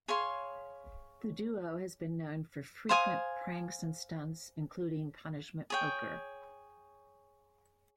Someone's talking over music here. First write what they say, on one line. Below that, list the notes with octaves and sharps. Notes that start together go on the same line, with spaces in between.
The duo has been known for frequent pranks and stunts, including Punishment Poker.
G#4 C#5 F5 C6
C5 F5 G#5 D#6
G#4 C#5 G5